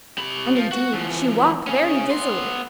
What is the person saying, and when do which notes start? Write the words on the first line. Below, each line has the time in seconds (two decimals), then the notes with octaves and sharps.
And indeed, she walked very dizzily.
0.18 C3 B5
0.56 F3
0.72 F#4
0.93 E3 F3
1.67 C#4 G#4
2.11 B3 C6